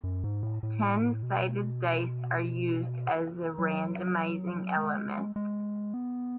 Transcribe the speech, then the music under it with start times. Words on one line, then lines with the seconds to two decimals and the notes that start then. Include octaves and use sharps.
Ten sided dice are used as a randomizing element.
0.04 F#2
0.24 G#2
0.43 A2
0.63 A2
1.23 B2
3.59 F#3
4.77 G#3
5.36 G#3
5.94 B3